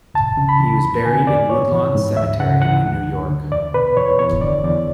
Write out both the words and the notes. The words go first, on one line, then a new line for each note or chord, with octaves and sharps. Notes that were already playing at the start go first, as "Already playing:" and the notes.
He was buried in Woodlawn Cemetery in New York.
C#2 A5
C#3
B5
E3
E2
D3 G#5
E2 D5
G#2 C#5
E3
G#2
D2 E5
C#3 F#5
E3 F#5
D2
D3
D2
E2 D5
B2 B4
E2 C#5
E2 C#5
D3 D5
E2 D5